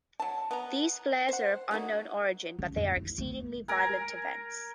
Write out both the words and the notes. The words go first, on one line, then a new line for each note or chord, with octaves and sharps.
These flares are of unknown origin, but they are exceedingly violent events.
F#3 A5
B3 A#5
C5 F#5
F#3 A#3 D#4 F#4
C#4
F2
E4
A3
A#4 G#5 A#5